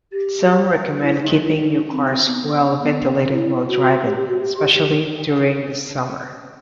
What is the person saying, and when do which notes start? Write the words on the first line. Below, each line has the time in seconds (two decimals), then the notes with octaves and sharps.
Some recommend keeping new cars well ventilated while driving, especially during the summer.
0.12 G4
1.01 E4
1.20 D#4
1.32 D#4
1.43 E4
1.54 D#4
1.91 C4
2.26 B3
2.44 A4
2.80 B3
3.29 F#4
3.33 E4
3.68 F#4
4.05 G4
4.16 G4
4.28 F#4
4.40 G4
4.57 G4
4.76 G4